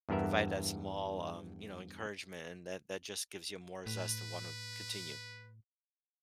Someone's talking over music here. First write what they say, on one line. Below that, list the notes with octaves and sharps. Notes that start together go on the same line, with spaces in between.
provide that small, um, you know, encouragement, and that that just gives you more zest to wanna continue.
E2 G2 B3 A#4 E5
A2 B4